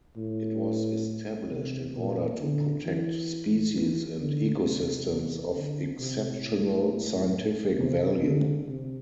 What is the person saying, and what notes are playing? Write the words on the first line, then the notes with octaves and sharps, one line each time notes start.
It was established in order to protect species and ecosystems of exceptional scientific value.
A2
C3
A#2
D3
E3
E3
D3
C3
D3
C3
A2
C3
D3
C3